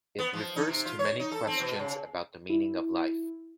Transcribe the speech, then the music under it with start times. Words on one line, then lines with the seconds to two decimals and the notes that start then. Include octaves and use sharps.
It refers to many questions about the meaning of life.
0.18 B3
0.34 F3
0.56 D#4
0.68 C3
0.86 F4
0.99 C#5
1.20 D#4
1.31 A4
1.47 C4
1.60 B2
1.79 C#3
2.50 E4